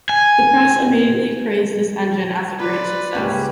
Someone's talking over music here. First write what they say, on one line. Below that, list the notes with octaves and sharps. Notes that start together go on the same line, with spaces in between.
The press immediately praised this engine as a great success.
G#5
F4 B4 D5
C#2 G#2 C#3 G3 A#3 C#4